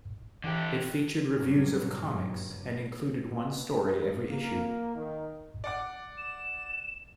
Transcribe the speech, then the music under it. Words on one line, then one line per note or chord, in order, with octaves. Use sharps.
It featured reviews of comics, and included one story every issue.
D3 E3 G4
F#1 G2 A#2 F#3 G3
B2
G2
A#3
D#3
D5 F#5 D6
E7